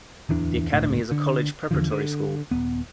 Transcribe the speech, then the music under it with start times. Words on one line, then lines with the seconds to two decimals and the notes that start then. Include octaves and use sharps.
The academy is a college preparatory school.
0.29 D1 E2 E3 D4
0.72 G1 C#2 A2 D3
1.11 D3
1.71 E2 D3 F3
1.91 D3
2.51 D#1 B3